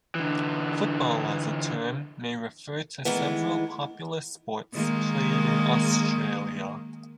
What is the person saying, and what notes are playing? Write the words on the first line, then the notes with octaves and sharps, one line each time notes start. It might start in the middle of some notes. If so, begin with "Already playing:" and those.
Football, as a term, may refer to several popular sports played in Australia.
D3 E3
D#3 E3 G#3 A3 B3
D#3 G#3 A#3